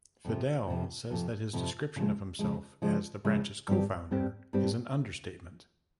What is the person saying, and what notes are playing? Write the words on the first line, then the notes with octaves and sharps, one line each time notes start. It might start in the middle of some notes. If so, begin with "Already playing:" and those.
Fedele says that his description of himself as the branch's "co-founder" is an understatement.
F2 C3 F3
F2 C3 F3
F2 C3 F3
F2 C3 F3
C#3 F3 G#3
C#3 F3 G#3
C#3 F3 G#3
C#3 F3 G#3
G2 G3 C4 G4
G2 G3 C4 G4
G2 G3 C4 G4